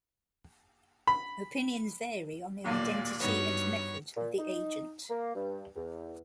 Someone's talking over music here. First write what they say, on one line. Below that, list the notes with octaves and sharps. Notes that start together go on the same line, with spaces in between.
Opinions vary on the identity and method of the agent.
B5
D#1 B1 A#2 A#3 D5
G2 B3 D#4 F#4 C#5
A#2
D#4
A#3
G2
E2